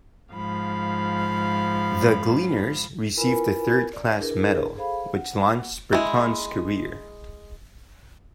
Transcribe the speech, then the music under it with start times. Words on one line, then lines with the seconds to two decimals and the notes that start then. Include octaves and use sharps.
"The Gleaners" received a third class medal, which launched Breton's career.
0.33 G#2 F3 F5 B5
3.17 E4 F4 A#4 B4 G#5 B5
3.93 D5
4.19 D4 E4 G#4 A#4 B4
4.76 G#4 A4 C5 F5 B5
5.13 F#5
5.93 G#3 E4